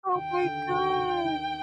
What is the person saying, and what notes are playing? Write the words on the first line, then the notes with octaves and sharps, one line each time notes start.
Oh my gosh.
D#2 G5
D3
D#2
D#2
D#3